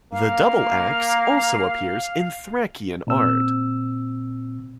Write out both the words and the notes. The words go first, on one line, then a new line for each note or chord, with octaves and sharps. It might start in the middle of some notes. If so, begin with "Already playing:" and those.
The double-axe also appears in Thracian art.
A#3 F5
A#2 C4 E6